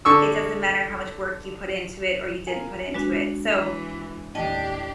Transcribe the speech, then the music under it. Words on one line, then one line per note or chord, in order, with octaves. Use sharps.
it doesn't matter how much work you put into it or you didn't put into it, so
D3 C#6 E6
F4 A#4 G#5
G#3 D4 F#4 B4
E3
D#2 A2 D4 G4 D#5 G5 A5